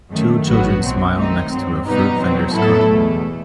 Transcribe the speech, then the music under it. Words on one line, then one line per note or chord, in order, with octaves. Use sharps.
Two children smile next to a fruit vendor 's cart.
F#2 D#3 A3
A1 A2 F#3 B3 F#4
B1 B2 F#3 C4
D#3 A3 C4 D#4
G2 F#3 C4
B2 G3 B3 D#4
B2 F#3 C4
A2 F#3 B3 E4 A4
E2 B2 A3